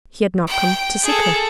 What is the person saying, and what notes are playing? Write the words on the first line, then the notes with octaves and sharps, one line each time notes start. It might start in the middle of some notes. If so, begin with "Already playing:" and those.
He had not come to seek her.
G5
G#4 A4